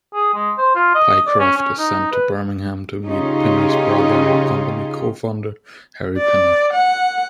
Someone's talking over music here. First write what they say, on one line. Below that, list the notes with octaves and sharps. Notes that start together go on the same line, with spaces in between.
Pycroft is sent to Birmingham to meet Pinner's brother and company co-founder, Harry Pinner.
G#4
G#3
C5
F4
D#5
D5
C#4
C#4
D#4
B4
C#3 C#4 D#4 F4 G4 G#4
D5
F#5